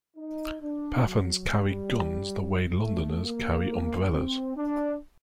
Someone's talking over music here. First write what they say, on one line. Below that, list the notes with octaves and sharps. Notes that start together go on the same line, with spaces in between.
Pathans carry guns the way Londoners carry umbrellas.
D#4
D4
F#3
G3
A3
A#3
C4
D4